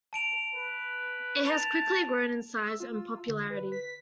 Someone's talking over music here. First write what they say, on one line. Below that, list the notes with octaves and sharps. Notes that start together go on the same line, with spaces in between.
It has quickly grown in size and popularity.
A5 D7 F7
B4
A5 F7
E6
F4
D3
B4
B6